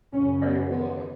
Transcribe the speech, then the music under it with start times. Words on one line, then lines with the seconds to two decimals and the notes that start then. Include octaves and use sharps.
Are you alone?
0.13 F#2 C#3 C#4
0.42 B3
0.70 B3